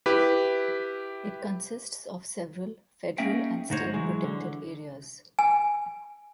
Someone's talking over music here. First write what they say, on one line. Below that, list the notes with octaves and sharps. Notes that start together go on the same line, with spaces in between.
It consists of several federal and state protected areas.
E4 G4 B4
A#3 C#4 D#4 G#4 E5 G5
D2 G#2 D#4 F#4 C5 C#5
E3 F#3 G#3
D3
G#5